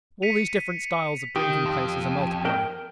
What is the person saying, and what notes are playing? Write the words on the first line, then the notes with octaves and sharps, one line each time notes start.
All these different styles of drinking-places are multiplying.
B6 C#7 D#7 F7
D#3 G4
F2
A#4 G5